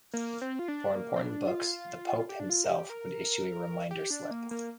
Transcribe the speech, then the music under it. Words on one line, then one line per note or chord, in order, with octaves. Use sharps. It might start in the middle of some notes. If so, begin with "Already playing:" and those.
For important books, the pope himself would issue a reminder slip.
A#3
C4
F4
D4
A#3
C4
D4
F4
G4
D4
F4
A#4
G4
A#4
G4
D4
A#3
A#3